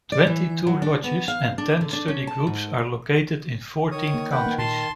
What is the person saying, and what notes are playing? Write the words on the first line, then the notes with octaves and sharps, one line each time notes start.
Twenty-two lodges and ten study groups are located in fourteen countries.
D5
E3
F#3
D4
B3
F5
D4
D3
D4
C#4
A5
G#2
D#3 C#5 D#6
A#3
B4 F#5 G5
A#3
A#2 A5 C6